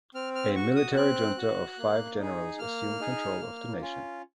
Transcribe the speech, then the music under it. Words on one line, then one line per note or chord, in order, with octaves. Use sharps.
A military Junta of five Generals assumed control of the nation.
C4 F6
F6
F#4 C#6
D#6
C4 F#6
F#4
A#3
D#4 G#4
A#3 F6
D#4 G#4
A#3
C#4 F4